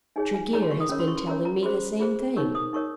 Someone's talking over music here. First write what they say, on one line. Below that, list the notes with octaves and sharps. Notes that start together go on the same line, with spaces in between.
"Tregear has been telling me the same thing."
D#4 G#4 C#5 G#5
G#5
D#4 G#4 C#5 A#5
C6
C#6
D#6
C#4 F4 A#4 C#5
C6
C#6
C6
C#4 F4 A#4 C#5 A#5
A#5
F4 G#4 C5 C6
F4 G#4 C5
D#4 A#4 C#5 C#6
D#6
D#4 A#4 C#5 C#6